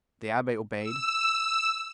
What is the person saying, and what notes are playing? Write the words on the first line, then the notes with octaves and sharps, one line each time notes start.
The abbe obeyed.
E6